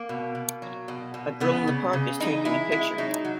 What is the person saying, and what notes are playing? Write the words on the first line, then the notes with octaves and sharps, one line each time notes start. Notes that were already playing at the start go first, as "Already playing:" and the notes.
A girl in the park is taking a picture.
Already playing: A#3
B2
B2
F#3
B2
B2
C#3 B3
C#3
C#3
E3 D#4
G#3 E4
G#3 E4
F#3 D#4
F#3